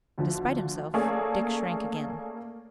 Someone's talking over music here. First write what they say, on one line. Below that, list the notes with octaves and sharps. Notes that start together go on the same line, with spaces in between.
Despite himself Dick shrank again.
D2 D3 F3
A3 A#3 C#4 G#4 A4 D5